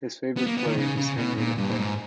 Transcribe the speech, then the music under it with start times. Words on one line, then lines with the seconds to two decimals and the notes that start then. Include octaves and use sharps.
His favourite play was "Henry the Fifth".
0.37 B3
0.47 A#3
0.57 B3
0.66 D#3
0.78 C#3
0.97 C#3
1.18 B2
1.38 A#2
1.58 G2
1.69 A#2
1.78 G#2